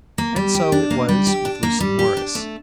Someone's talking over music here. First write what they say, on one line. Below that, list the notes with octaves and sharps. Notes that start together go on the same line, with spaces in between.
And so it was with Lucy Morris.
A#3
G3
G4
D4
A#3
G3
G4
D4
A#3
G3
G4
D4
A3